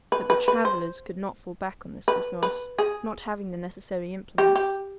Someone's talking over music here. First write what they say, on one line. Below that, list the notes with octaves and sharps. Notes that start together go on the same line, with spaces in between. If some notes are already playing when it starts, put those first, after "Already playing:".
But the travelers could not fall back on this resource, not having the necessary implements.
B4
B4
B4
C5
B4
B4
G#4
G4
G4